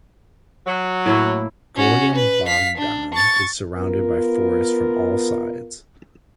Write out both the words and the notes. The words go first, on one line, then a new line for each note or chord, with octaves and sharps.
Golyam Bogdan is surrounded by forests from all sides.
F#3
A2 A#3 E4
C#4 F#4
B4
F5 B6
D4
C#6 A6
B3 F4 A#4